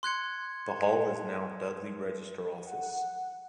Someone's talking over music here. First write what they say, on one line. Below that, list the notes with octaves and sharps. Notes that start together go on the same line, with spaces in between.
The hall is now Dudley register office.
C6 F#6 G#6 C#7
F#5